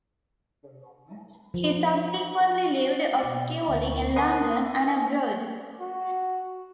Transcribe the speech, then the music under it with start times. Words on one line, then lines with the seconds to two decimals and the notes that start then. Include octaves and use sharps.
He subsequently lived obscurely in London and abroad.
1.54 F3
3.20 B2 D5
3.68 D2 A#3
4.16 A#4 B4 D#5 F#5 C6 D#6
5.80 F#4